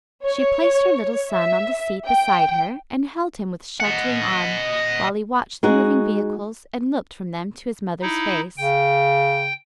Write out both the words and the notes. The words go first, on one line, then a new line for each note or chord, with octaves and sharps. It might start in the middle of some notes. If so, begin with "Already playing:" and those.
She placed her little son on the seat beside her and held him with sheltering arm, while he watched the moving vehicles and looked from them to his mother's face.
C#5
E5
G5
D#5 F#5
G#3 D#4 F#4
D#4 E4
C#3 G5